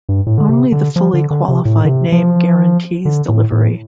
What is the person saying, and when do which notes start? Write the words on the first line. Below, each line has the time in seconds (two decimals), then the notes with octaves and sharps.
Only the fully qualified name guarantees delivery.
0.09 G2
0.27 A2
0.38 D3
0.49 C3
0.72 D3
0.96 F3
1.14 D3
1.30 D3
1.48 C3
1.65 A2
1.85 D3
1.89 C3
2.12 F3
3.05 D3
3.29 A2
3.52 A2